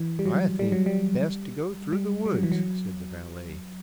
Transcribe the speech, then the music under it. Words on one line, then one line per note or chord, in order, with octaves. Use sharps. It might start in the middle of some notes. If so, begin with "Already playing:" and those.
"I think best to go through the woods," said the valet.
Already playing: E3
G3
F#3
G3
F#3
G3
G3
G3
F#3
E3
F#3